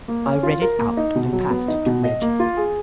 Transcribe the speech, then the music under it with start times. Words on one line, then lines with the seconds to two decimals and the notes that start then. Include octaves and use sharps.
I read it out and passed it to Reggie.
0.08 A#3
0.26 C#4
0.43 F4
0.62 A#4
0.79 A#3
0.97 D#4
1.15 B2
1.33 F#3
1.50 B3
1.68 D#4
1.86 B2
2.04 D#5
2.22 A#3
2.40 F4
2.57 G#4